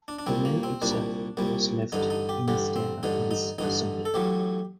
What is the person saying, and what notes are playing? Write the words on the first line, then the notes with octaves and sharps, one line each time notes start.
The mill itself was left in a state of disassembly.
D4
D4
C2 A#2 G3 C4
A#3
C4
C2 A#2 G3 D4
C2 A#2 G3
A1 G2 D3 D#4
D#4
G4
A1 G2 D3 G4
C4
A1 G2 D3 D#4
D#4
A1 G2 D3 D#4
A4
A1 A2 F#3 G4